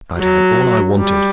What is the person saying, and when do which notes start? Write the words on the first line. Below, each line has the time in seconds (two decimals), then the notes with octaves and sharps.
I'd had all I wanted.
0.17 F#3
0.99 G3